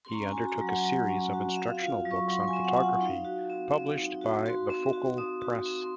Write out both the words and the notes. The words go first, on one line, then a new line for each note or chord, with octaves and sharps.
He undertook a series of instructional books on photography, published by the Focal Press.
C6
C#4 A#5
G#5
F#4
A#5
F#3
F#5
F#3
C#4
F#4
C4 F5
F5
F4
F#3
C#6
F#3 C6
G#5
C4
F#5
F4
F#5
D#4 F5
F#4
C4
C4
D#4
F#4
F#4 C6
C4
F#4
C4 D#6
F#4
C4
C6